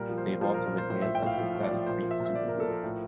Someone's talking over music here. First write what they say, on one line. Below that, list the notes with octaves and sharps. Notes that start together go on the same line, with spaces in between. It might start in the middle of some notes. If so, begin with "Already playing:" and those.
They have also been hailed as the "Saddle Creek supergroup".
Already playing: A#2 G3 A#4
F3
C5
A#2
F3 C5
A#4
A#2
A#4
F3 C5
A2 C5
F3 E5
G5
A2 F5
F3 F5
A2
D5
F3
A#2 C5
F3
E5
A#2
E5
F3 D5
A#2 A#4
A4
F3 A#4
A2